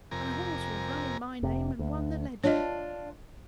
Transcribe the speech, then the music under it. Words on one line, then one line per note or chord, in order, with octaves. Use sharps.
And the horse would have run in my name and won the Leger!
F2 C3 A#4 G#5 A#5
F1 C3
D2
D4 F4 C#5 D#5